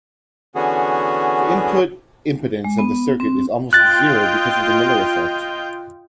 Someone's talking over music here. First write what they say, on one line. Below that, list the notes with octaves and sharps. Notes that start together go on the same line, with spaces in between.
The input impedance of the circuit is almost zero because of the Miller effect.
D3 E3 B3 C#4 F#4 G#4
G#3
B3
C4
F4 D#5 G5 F#6 A6